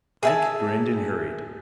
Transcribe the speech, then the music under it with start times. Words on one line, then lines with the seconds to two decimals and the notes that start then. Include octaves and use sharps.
Ike grinned and hurried.
0.23 G#4 E5 A5